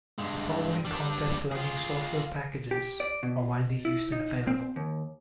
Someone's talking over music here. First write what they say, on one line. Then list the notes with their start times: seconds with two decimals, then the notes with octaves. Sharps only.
The following contest logging software packages are widely used and available.
0.19 G2 G#3
0.85 G3 D4
1.52 F4 G#4
2.71 G4
3.00 D5
3.23 B2
3.85 E4
4.12 D#4
4.47 C4
4.76 D#2